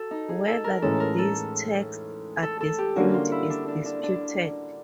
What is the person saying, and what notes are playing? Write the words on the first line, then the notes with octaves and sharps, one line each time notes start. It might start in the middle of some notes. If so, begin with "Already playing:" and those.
Whether these texts are distinct is disputed.
Already playing: F#4 A4
D#4
G#4
A4
A#4
A2 E3 G#3 C#4 A4
A#4
A4
A4
A4
G4
D3 G3 A#3 C#4 F#4
F4
E4
D4
D4
D4
D4